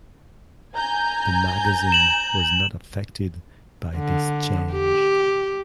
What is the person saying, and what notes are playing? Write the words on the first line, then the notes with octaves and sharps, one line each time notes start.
The magazine was not affected by this change.
G#5 A#5 G6
E7 F#7
D3
G4